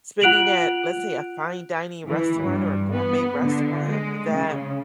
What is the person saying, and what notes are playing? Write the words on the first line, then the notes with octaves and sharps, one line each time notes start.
spending at, let's say, a fine dining restaurant or a gourmet restaurant that
F4 F#5 F#6 D7 F7 F#7
E3
G2
B3
D3
G#3
C#3